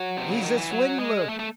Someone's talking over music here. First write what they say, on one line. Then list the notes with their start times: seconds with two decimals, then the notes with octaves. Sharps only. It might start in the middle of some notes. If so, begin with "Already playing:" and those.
"He's a swindler!"
Already playing: F#3
0.18 C3
0.31 C#3
0.44 D#3
0.57 E3
0.70 F#3
0.99 G#3
1.29 A3
1.39 A3